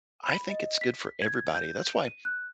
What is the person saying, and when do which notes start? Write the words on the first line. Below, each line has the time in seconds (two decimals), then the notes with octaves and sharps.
I think it's good for everybody. That's why
0.23 B5
0.50 D#5
0.81 B6
1.22 G#6
1.55 G6
2.06 D#7
2.25 F#6